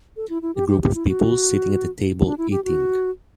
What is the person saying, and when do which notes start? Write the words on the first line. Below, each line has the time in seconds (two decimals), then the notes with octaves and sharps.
A group of people sitting at a table eating.
0.16 A4
0.30 E4
0.42 E4
0.55 G4
0.69 G4
0.82 G4
0.95 E4
1.08 F#4
2.25 D4
2.38 E4
2.51 G4
2.65 F#4